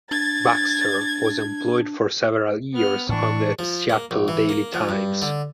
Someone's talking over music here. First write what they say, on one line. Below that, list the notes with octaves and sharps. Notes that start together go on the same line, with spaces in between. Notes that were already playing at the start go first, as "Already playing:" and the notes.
Baxter was employed for several years on the "Seattle Daily Times".
D4 G#6 A6
B3 F6
A2 E3 D4 C#6
F3
A#3
A#1
E3
A#3
F3
G2
D3